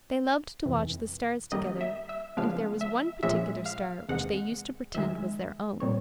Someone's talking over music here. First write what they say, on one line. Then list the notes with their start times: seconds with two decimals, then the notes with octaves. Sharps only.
They loved to watch the stars together, and there was one particular star which they used to pretend was their own.
0.66 F2 C3 E3
1.52 F#2 D#3 G3 A#3 D#5
1.81 E5
2.09 E5
2.37 C#3 F3 G#3 B3 D4 F5
2.81 E5
3.23 A#2 F3 G#3 C#4 E5
3.66 F5
4.09 E2 C3 D#3 G#3 F#5
4.94 F2 C3 D#3 G#3 E5
5.80 A#2 G3 C4 C#5